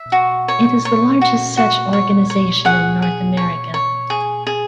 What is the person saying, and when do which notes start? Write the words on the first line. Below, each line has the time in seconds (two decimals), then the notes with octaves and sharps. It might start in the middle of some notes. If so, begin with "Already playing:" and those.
It is the largest such organization in North America.
Already playing: E5
0.12 F#4
0.48 C#5
0.85 C#5
1.21 F#4
1.57 F#4
1.93 C#5
2.30 C#5
2.65 G#4 F#5
3.02 G#4
3.37 C#5
3.74 C#5
4.10 G#4
4.47 G#4